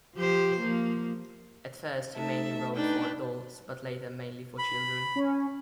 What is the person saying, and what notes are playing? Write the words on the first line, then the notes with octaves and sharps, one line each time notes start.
At first he mainly wrote for adults, but later mainly for children.
F3 G4 C5
F3 A#3
A3 D#4 A4 E5 A5
D4 D#4 B4 G5
B5
C#4